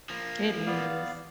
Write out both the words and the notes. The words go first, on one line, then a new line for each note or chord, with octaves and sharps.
It is.
F3 A#3
B3 D5 F5